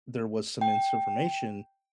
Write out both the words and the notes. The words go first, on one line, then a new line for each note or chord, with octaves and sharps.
there was some misinformation,
G5